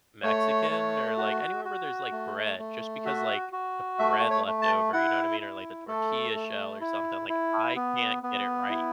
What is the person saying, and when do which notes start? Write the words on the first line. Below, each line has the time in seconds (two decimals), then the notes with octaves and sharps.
Mexican or, like, anywhere where there's, like, bread just because, like, the bread leftover, you know what I mean, or, like, the tortilla shell or something, like, I can't get it right.
0.23 A3 C#5
0.70 A3
1.17 F#4
1.65 F#4
2.11 A3
2.59 A3
3.05 F#4 E5
3.52 F#4
3.99 A3 E5
4.31 C#5
4.47 A3
4.62 A5
4.93 E4 F#5
5.40 E4
5.87 A3 A4
6.34 A3
6.81 E4
7.29 E4
7.75 B3
8.23 B3
8.69 E4